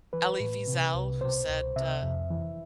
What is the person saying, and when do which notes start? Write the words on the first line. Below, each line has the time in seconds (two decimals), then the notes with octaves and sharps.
Elie Wiesel who said, uh,
0.13 E3 B4
0.40 A2
0.68 C3
0.94 C2
1.21 B2 C5
1.49 C2
1.76 C3 E5
2.03 F2
2.30 E3